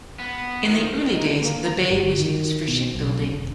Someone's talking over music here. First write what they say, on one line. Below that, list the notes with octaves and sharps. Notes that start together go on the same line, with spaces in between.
In the early days, the bay was used for shipbuilding.
B3
D#3 F3
D#4
A#3
A#5
G1
D#3
B2
B1
F1